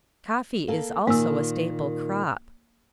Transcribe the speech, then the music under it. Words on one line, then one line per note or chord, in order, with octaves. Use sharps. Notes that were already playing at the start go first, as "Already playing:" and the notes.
Coffee is also a staple crop.
A#3 A4
A#2 D#3 A#3 E6